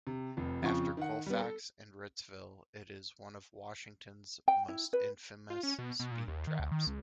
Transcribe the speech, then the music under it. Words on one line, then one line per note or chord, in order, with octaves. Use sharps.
After Colfax and Ritzville, it is one of Washington's most infamous speed traps.
C3
F1 F2
F2 C#3 F3 C#6
D#3 F#5
G3 B3
A4
G5
E4
B4
F4
C#4
B2
B2
A#2
D#2
D#3
D2
D#3
C#2